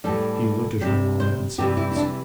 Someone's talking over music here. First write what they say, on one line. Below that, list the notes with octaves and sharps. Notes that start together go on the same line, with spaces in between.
He looked at her a moment in silence.
A2 E3 G3 A4
C3 G3 G4
C5
C3 E3 G3 G4
E4
E4
D4